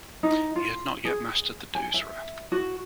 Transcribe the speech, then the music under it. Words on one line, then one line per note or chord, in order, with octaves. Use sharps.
He had not yet mastered the doosra.
D#4
F4
G#4
G#5
E5
F#4